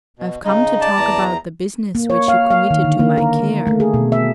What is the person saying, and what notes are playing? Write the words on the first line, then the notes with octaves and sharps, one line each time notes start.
"I've come to talk about the business which you committed to my care."
B2
C#3 D#4 D#5
D5 A5
E2 A#5
A#3
C#5
F5
F5
D#3
D3
A#3
A#4
A3
G#4
B2
E5